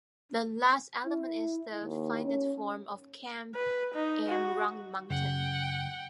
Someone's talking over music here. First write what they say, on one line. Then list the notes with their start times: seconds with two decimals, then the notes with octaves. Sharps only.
The last element is the finite form of "kamp" m 'round mountain'.
1.06 E4
1.83 D#2
2.24 C#4
3.55 B4
3.95 D#4
4.29 F#4
5.10 F#2 C#3 F#5 G5